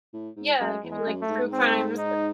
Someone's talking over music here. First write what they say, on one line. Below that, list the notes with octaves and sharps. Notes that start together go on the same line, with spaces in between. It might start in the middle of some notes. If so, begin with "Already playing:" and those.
Yeah, it could be like True Crimes,
A2
G#2
F#2 G#3
E2
G#3
F#2
A3
G#2
C4
D#4